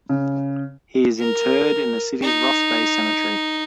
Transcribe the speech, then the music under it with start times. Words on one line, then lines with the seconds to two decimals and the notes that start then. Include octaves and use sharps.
He is interred in the city's Ross Bay Cemetery.
0.09 C#3
1.19 A#4
2.22 D#4